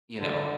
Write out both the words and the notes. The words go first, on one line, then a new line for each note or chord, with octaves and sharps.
you know
D3